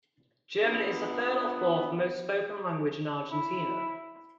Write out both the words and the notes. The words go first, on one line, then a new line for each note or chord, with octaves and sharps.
German is the third or fourth most spoken language in Argentina.
B3 D4 F4 E5
E4